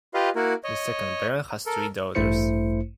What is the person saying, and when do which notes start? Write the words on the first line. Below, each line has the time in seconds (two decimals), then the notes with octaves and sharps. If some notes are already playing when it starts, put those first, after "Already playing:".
The second baron has three daughters.
0.14 F4 G4 B4 D#5 F5
0.36 A#3 E4 F#4 A#4
0.64 C#5 D#5
1.66 A4 A#4
2.15 A1 G2 A3 E4 C5 C#7